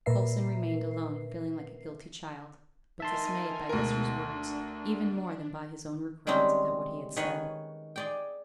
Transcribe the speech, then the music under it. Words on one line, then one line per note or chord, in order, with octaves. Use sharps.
Coulson remained alone, feeling like a guilty child, but dismayed by Hester's words, even more than by his own regret at what he had said.
A#2 A#4 B4 E5 C7
D#4 A#4 E5 G#5 A5 C6
D2 B2 G#3 D#4 A#4
D4
D#3 G3 G#3 C4 C#4
D#3 G#4 B4 C#5 D#5
G#4 D5 G5